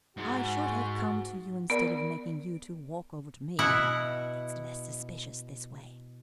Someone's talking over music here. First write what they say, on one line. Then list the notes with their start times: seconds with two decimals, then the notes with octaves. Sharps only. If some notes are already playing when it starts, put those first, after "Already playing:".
"I should have come to you instead of making you two walk over to me, but it's less suspicious this way."
0.17 G#2 F#4
1.70 B3 A#4 D5
3.59 B2 E4 F#5